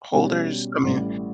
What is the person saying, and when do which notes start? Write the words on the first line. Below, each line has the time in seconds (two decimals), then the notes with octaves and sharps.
holders? I mean
0.13 B2 G3 C#4 G4
0.83 A1 A2 G3